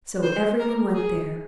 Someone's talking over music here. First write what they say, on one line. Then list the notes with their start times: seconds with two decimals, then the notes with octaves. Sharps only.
So every one went there.
0.23 C5
0.59 A#4
0.94 G#4